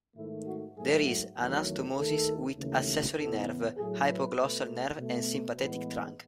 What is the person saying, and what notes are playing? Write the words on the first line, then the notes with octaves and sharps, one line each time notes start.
There is anastomosis with accessory nerve, hypoglossal nerve and sympathetic trunk.
G#2 D#3 A3 E4
F#4
G#2 F#3 A3 G#4
F#4
E2 D#3 F#3 A3 F#4
D#2 D#3 A3 A4
D#2 C#3 E3 A3
E2 C#3 E3 B3 A4
A2 F#3 A3 G#4
B4
B2 A3
B2 A3
A2 E3 G#3 B3 B4